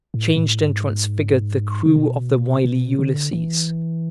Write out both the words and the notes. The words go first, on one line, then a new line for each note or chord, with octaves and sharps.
Changed and transfigured the crew of the wily Ulysses.
A2
A2
G#2
C#3
B2
B2
D3
E3